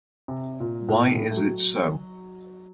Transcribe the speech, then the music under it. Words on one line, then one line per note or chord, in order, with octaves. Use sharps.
Why is it so?
C3
A#2
A2
A#2
A2
A3
F#3